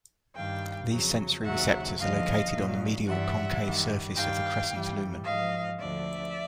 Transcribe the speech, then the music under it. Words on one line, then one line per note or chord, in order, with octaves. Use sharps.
These sensory receptors are located on the medial concave surface of the crescent lumen.
G2 D#3 G3 F5 G5
F2 C#3 F#3
D#2 C#3 F#3 E5 F#5
D#2 D3 F3 D#5 F5
A#2 F#3
G2 E3 G3 E5 F#5
F#2 D#3 G3
G2 D#3 G3 F5 G5
G2 E3 G3
G#2 F3 D#5 F5
D2 D3 F3 D5 E5